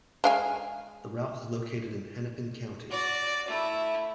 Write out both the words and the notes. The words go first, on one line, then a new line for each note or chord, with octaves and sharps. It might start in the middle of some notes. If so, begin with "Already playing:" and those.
The route is located in Hennepin County.
G#3 F5 G#5
F#4 D5
A3 E4